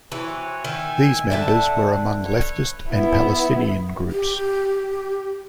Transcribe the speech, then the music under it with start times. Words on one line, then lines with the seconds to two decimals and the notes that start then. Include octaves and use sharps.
These members were among leftist and Palestinian groups.
0.12 E3 C4 F#4 C#5
0.64 D#3 E5 G#5
1.30 D3 C4 E5 F#5 A5
2.21 A3 B4 C#5
2.90 B3 E4
4.11 G4